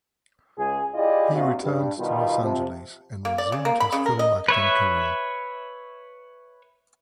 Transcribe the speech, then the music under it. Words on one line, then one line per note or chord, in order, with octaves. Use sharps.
He returned to Los Angeles and resumed his film acting career.
C#2 G#4 G#5
E4 F4 G4 G#4 D5 D#5
A#1 C3 F4 F#4
G2
B2 D#3 G3 F4
C3 F3
A#3
D5
C#3
A#3
B5
C#3
A#4
D#5
B4 C#5 E5